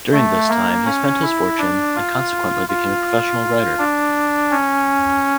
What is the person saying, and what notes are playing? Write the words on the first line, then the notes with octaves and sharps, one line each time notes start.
During this time he spent his fortune and consequently became a professional writer.
A3
A#3
C#4
E4
D4
F4
F4
D4
C#4